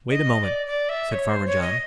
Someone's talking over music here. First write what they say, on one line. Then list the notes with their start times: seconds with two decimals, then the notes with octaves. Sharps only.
"Wait a moment," said Farmer John.
0.11 D#5
0.43 D5
0.67 D5
0.89 E5
1.12 C#5
1.29 C5
1.46 C#5
1.62 D#5